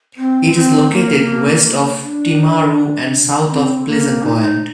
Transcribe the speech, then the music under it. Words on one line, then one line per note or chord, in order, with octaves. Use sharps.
It is located west of Timaru and south of Pleasant Point.
C4
C4
A#3
D4
C4
A#3
D#4